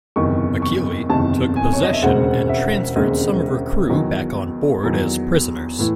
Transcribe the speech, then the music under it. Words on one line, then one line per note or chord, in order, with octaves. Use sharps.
"Achille" took possession, and transferred some of her crew back on board as prisoners.
F#1 E2 C3 D#3 C#6
C#6
F#1 E2 C3 D#3 A5
G#5
C#5
D#5
E5
E1 D#2 C#3 G#3 C4 F#5
E5
E1 D#2 C#3 G#3 C4 D#5
E2 D#3 F#3
E2 D#3 F#3
A2 E3